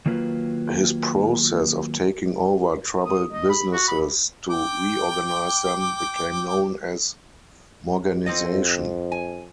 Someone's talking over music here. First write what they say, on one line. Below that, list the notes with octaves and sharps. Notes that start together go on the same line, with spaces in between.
His process of taking over troubled businesses to reorganize them became known as "Morganization".
D#3 F#3 A#3 F4 B4
D#6
D#5
B5
F#4
B5
G5 D6
F2 C4 A4 D#5
G#5